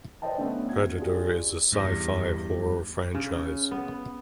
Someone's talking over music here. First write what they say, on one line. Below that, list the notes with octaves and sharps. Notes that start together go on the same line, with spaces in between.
Predator is a sci-fi horror franchise.
B4 C5 D5 D#5 G5 A5
D3 A3 B3 C#4
F#4 G#6
D4 F4 G4 G#4
E2 G2
C#3
B3